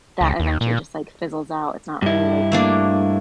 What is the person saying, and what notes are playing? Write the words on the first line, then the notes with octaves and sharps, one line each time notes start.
that eventually just, like, fizzles out? It's not really, like,
C#2
D#2
A#2
G2 E4
A3 A#3 D4